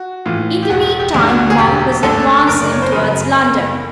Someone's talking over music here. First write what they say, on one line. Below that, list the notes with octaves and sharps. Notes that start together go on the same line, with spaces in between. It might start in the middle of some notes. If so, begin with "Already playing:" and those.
In the mean time Monk was advancing towards London.
Already playing: F#4
A2 E3 F4
G4
E1 F#4
G4
D2 D3
F#4
G#4
E1 G4
D2 D3 A4
F#1 A#4
D5
C#5
C5
F#2 C#3 B4
F#1